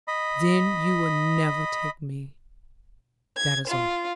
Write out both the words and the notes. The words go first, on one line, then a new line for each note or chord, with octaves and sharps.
'Then you will never take me, that is all.
D#5 B5
G#6
F4